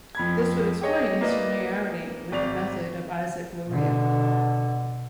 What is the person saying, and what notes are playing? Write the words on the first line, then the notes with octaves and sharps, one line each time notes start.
This would explain his familiarity with the method of Isaac Luria.
F2 B5 G#6
G4 G#4 C#5 D#5
A#3 E4 B4 D5 D#5
G#1 D5 F7
B2 D3